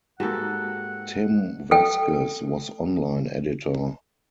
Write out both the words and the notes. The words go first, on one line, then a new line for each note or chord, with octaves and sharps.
Tim Vasquez was online editor.
G#2 A#3 F#4 G4 A4 F#5
A4 G5